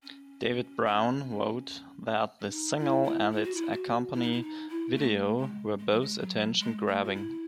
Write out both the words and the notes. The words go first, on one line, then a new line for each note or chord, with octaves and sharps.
David Browne wrote that this single and its accompany video were both "attention-grabbing".
C#4
C#4
C#4
D#4
E4
E4
E4
F#4
E4
F#4
E4
D#4
E4
D#4
E4
A3
G#3
G#3
F#3
G#3
F#3
G#3
A3
F#4
E4